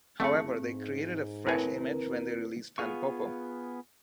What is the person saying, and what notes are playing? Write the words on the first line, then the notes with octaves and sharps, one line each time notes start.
However, they created a fresh image when they released "Tanpopo".
F#1 A3 C4 E4 G#4
G#2
D#2 A2 C4 E4 A#4 B4 G#5
B3 F4 G#4 F5 C#6